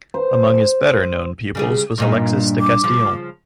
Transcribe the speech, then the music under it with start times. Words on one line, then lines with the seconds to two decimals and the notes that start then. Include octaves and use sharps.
Among his better known pupils was Alexis de Castillon.
0.14 C5
1.55 C#3 G3 G#4
1.98 G2 A#2 D#4
2.61 D6
2.84 C#3 F3